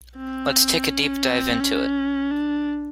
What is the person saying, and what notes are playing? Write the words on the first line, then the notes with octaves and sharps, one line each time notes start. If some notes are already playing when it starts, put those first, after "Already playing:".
Let's take a deep dive into it.
C4
C#4
C4
C#4
D4